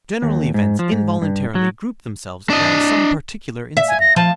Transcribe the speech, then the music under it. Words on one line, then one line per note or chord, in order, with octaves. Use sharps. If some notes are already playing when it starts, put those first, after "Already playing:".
General events involuntarily group themselves around some particular incident.
D#2
G#2
F3
G#2
G2
F#3
D4 D#5
E5
G#5
A#6
F3 A5